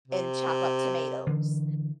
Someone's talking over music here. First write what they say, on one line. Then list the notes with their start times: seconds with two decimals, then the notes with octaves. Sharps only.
and chop up tomatoes,
0.08 C3
1.27 D3 E3